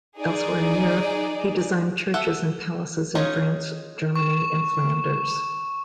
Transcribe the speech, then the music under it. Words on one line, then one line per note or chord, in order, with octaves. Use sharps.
Elsewhere in Europe, he designed churches and palaces in France, Germany and Flanders.
D#4 G#4 D5
A4 E5 F#5
C#4 D#4 F4 G#4
C#6 E7